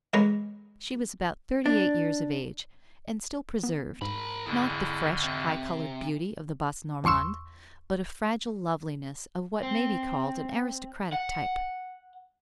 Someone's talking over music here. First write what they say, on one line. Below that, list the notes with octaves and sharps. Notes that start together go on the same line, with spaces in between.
She was about thirty-eight years of age, and still preserved, not the fresh, high-colored beauty of the Basse-Normandes, but a fragile loveliness of what may be called an aristocratic type.
E2 G#3 G#4 B4 C#5 A#5
D4
B3
G#2 A#4 B5
F2 D3 E4 G#4
C3
G1 E2 C6 C#6 E6
C4
F#5